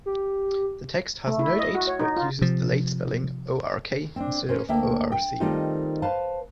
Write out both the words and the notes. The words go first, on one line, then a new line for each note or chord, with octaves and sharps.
The text has no date, but uses the late spelling "Ork" instead of "Orc".
G4
A3
E4
D#5
F#4
C#5
D#4
F4
C3 F3
C4 D4
C#4 A#4 C5
D2 A#3 E5 G5
G5
D#3 G3 A3 C4 D#4 F4
B4 C5 F5 A5